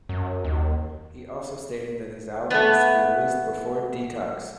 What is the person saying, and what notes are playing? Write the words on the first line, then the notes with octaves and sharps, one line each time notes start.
He also stated that his album is to be released before "Detox".
F#2
D#2
A3 B3